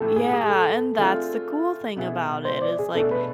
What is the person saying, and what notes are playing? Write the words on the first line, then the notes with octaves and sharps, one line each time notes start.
Yeah, and that's the cool thing about it is like,
A2 E3 A3 A4
G#4
G#4
G#4
A4
D3 A3 C4 F4 G#4
B2 B3 E4 G#4
C5
D5
G#4
B2 A3 D4 G#4 A4
B4